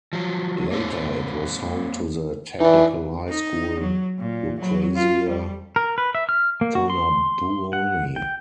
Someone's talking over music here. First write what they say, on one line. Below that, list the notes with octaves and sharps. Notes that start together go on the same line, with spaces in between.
Later, it was home to the Technical High School Lucrezia Tornabuoni.
F3 F#3
A#3 C4 C#5
E3 D#4 D5
D#4
F#3
A#2
F#3
F4
G3
A#4
B4
E5
F6
A#3
F#4
C6
F#5
G5